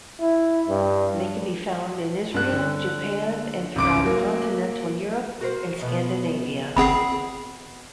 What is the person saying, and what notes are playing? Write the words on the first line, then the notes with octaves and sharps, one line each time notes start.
They can be found in Israel, Japan and throughout continental Europe and Scandinavia.
E4
G2
G2 F#6
D3
G#1 C#2 D6 D7
F#3 A#3
F#4 A#4 C5
E2 B2 B3
G1 C4 G#4 F#5 B5